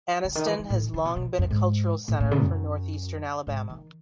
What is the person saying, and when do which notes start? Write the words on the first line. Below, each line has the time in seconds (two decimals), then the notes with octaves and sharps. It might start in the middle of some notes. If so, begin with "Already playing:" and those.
Anniston has long been a cultural center for northeastern Alabama.
0.24 C#3
0.35 D#3
0.47 E3
0.59 D#3
0.70 A2
0.81 D#3
0.94 C#3
1.05 B2
1.16 B2
1.39 F#2
1.50 G#2
2.08 A2
2.20 A2
2.31 C#3
2.43 F#2
3.47 G#2
3.69 D#3